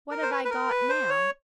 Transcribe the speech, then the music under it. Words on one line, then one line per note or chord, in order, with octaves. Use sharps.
What have I got now?
A#4
C5
B4
B4
A#4
B4
C5
C#5